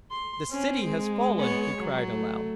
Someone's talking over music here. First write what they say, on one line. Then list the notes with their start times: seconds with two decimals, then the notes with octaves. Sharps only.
"The city has fallen!" he cried aloud.
0.11 C6
0.51 C4 C#4
0.84 G#3
1.39 B3 C#5
1.79 F#3
2.10 A3